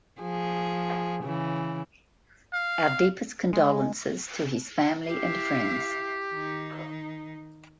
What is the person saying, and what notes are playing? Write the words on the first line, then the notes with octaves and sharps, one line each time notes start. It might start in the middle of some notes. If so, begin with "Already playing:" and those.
Our deepest condolences to his family and friends.
F3 G#4
C#3 E3
F5
G#3
E4 G4 F5
D#3 D#4